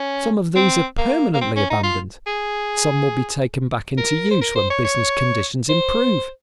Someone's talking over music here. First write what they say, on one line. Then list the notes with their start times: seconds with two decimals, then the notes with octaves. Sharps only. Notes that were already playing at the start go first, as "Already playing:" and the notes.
Some of these are permanently abandoned; some will be taken back into use when business conditions improve.
Already playing: C#4
0.56 C4
0.98 A#3
1.34 A#3
1.41 C4
1.56 C#4
1.70 D#4
1.83 F4
2.27 G#4
3.98 A#4
4.31 C5
4.41 A#4
4.55 C5
4.70 C#5
4.84 C#5
5.69 C5